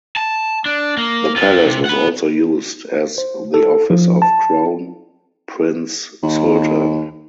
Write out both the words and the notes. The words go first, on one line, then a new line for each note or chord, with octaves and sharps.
The palace was also used as the office of Crown Prince Sultan.
A5
D4
A#3
C4 F4
C3
F#5 B5
C5
A4
F3
A5
D#2